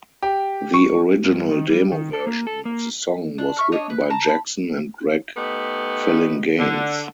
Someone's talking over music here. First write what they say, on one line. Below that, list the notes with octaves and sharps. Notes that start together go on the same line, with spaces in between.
The original demo version of the song was written by Jackson and Greg Phillinganes.
G4
C#6
G2
D#3
G3
D#3
A4
A#3
A4
A#3
D4
E5 C#6 F6
D4 C#5 D#5
B4
A5 A#5
B5
A3 B3 D#4 G4
D3